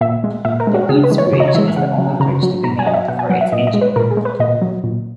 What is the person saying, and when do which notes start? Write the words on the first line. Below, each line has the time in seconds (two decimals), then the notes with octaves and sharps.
The Eads Bridge is the only bridge to be named for its engineer.
0.01 A#2 E5
0.24 G#3
0.45 A#2 E5
0.60 A#4
0.67 G#3
0.74 F#4
0.89 C#3 G#4
1.04 B4
1.11 E3 G#3
1.18 C#5
1.33 C#3 C#5
1.40 D#5
1.48 C#5
1.54 E3 G#3 E5
1.76 C#3 F#5
1.98 F#3
2.20 C#3 A#5
2.43 F#3
2.64 B2 A#5
2.79 G#5
2.86 F#3 D#5
2.93 E5
3.08 B2 F#5
3.19 G#5
3.30 F#3 F#5
3.41 E5
3.52 A#2 D#5
3.67 D#5
3.74 G#3
3.81 B4
3.96 A#2 A#4
4.11 G#4
4.17 G#3
4.25 B4
4.40 A#2 D#5
4.62 F#3
4.84 A#2